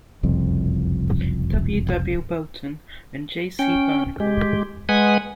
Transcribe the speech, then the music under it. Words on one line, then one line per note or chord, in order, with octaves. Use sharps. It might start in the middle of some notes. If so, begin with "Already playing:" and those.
W. W. Bolton and J. C. Barnacle.
F#1 C2 F2
C#4 G5
G#3 G4
G#3 B4 F#5 G#5 D#6